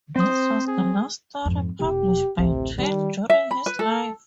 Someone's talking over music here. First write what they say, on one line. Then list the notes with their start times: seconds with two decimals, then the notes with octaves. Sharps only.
This was the last story published by Twain during his life.
0.16 C4 C5 D#6
0.67 G#4
1.45 F2 G#2
1.80 E1 B2 G4
2.38 A1 D2 C3
2.78 D#3 G3
3.30 E5
3.51 B5
3.66 B4
3.79 A4